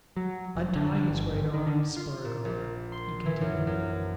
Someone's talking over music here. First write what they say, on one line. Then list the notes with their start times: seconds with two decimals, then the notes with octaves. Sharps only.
"Untie his right arm, Spargo," he continued.
0.17 F#3
0.55 F1
0.76 D3
0.92 D3
1.09 G1
1.31 G#1
1.53 D#3
1.67 D3
1.96 F4
2.25 A#2
2.45 A#1
2.92 C6
3.26 E3
3.41 F#2
3.67 F#2